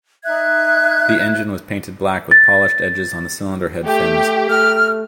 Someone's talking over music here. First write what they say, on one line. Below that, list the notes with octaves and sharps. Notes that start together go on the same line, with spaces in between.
The engine was painted black with polished edges on the cylinder head fins.
D#4 E5 F#6 G#6
A6
A3 G4
A3 F6